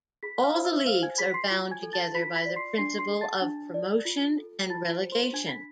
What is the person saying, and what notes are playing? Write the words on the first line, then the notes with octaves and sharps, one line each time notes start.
All the leagues are bound together by the principle of promotion and relegation.
G#4 B5 B6
F5 F6
C5
E5 E6
C5 F5 F6
G#5 G#6
G#4 B5 B6
C6 C7
F4
G#5 G#6
A4
A5 A6
F4 B5 B6
B5 B6
D5
C6 C7
D4 C6 C7
C6 C7
G#4
A5 A6
D4
D5
F4
A4
F4 A5 A6
C5
C5 C6
D4 G#5 G#6
B5 B6